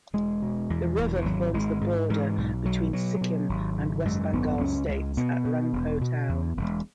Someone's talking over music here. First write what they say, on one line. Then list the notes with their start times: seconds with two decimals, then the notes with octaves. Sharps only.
The river forms the border between Sikkim and West Bengal states at Rangpo town.
0.13 E1 G#3
0.42 B2
0.70 E2
0.98 E1
1.17 E3
1.26 G#1 F#3
1.54 G#1 G#3
1.81 G#2 G#3
2.10 G#2 E3
2.38 B1
2.65 B1 F#3
2.93 B2 F#3
3.21 B2
3.49 G#1
3.77 C#3
4.05 F#2 G#3
4.33 G#1 B3
4.61 C#2 C#4
4.88 C#2 G#3
5.17 B2 B3
5.45 B2
5.73 E1
6.01 B2
6.29 E2
6.57 E1